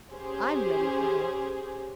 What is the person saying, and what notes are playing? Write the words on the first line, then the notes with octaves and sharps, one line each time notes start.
'I'm ready for her.
C#4 G4 G#4 C5